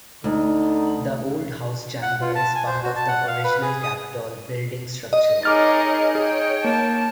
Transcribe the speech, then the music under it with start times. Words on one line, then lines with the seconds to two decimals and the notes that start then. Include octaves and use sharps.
The Old House Chamber is part of the original Capitol building structure.
0.24 D2 D3 D#4
2.02 F#5
2.22 F4
2.35 A5
2.55 G#5
2.67 C5
2.83 F#4
2.96 A5
3.08 F#5
3.27 F5
3.44 B4
3.62 G#4
3.83 D#6
5.13 D#5
5.43 D#4 G#4 A#4 C#5 D6 F6 A6
6.15 G#4 C#5 G5
6.64 A#3 A5